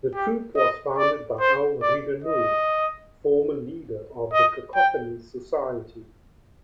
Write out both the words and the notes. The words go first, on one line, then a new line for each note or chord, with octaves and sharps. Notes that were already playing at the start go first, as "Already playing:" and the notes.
The troupe was founded by Al Ridenour, former leader of the Cacophony Society.
G4
D#5
D5
C5
D5
D#5
D#5
G5